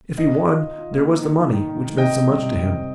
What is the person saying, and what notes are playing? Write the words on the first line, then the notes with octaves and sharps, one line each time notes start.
If he won, there was the money, which meant so much to him.
D#3 D#5
D#3
F4
F4
F4
A#3
D#4
D#3
D#3
D#3
D#3
D#3
C3 D#5 G5
C3
G3
C3
C3
C4